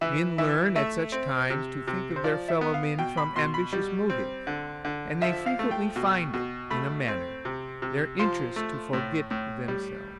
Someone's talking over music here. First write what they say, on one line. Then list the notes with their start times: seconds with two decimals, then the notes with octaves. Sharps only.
Men learn at such times to think of their fellow-men from ambitious motives; and they frequently find it, in a manner, their interest to forget themselves.
0.01 E3 E5
0.38 E3 E5
0.76 A3 E5
1.12 C4
1.50 C3
1.87 C3
2.16 C5
2.24 F3 D5
2.49 E5
2.61 B3
2.74 F5
2.98 B2 G5
3.17 B5
3.36 B2 C6
3.54 B5
3.73 G3
4.10 C4
4.47 D3
4.85 D3
5.22 F3 E5
5.46 F5
5.59 A3
5.71 G5
5.96 B2
6.33 B2
6.70 A3 B5
7.08 C4
7.45 C3
7.82 C3
8.19 F3 C6
8.56 A3
8.93 A2
9.31 A2
9.68 G3